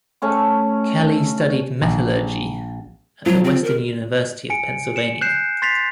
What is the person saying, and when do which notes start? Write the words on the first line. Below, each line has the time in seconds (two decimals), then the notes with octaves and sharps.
Kelly studied metallurgy at the Western University of Pennsylvania.
0.22 A3 C#4 C#6
1.82 A#1
3.26 F3 F#3
3.44 C4
3.64 A#4
4.50 G#5 C#7 D7
4.96 C#7 E7
5.21 F#6 G6 C7 E7
5.62 C6 A6 B6 C7 F7